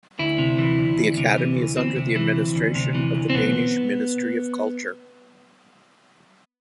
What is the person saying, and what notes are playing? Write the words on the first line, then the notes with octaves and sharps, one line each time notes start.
The academy is under the administration of the Danish Ministry of Culture.
D2 E4
C3
E3
D2
D2
C3
E3
D2
D2 C4
C3
E3
D2
D2
C3
E3
D2
C4
B1 B3